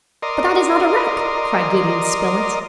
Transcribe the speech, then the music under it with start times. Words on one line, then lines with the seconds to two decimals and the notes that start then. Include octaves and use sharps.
"But that is not a wreck!" cried Gideon Spilett.
0.22 A#4 D5 D#5 C6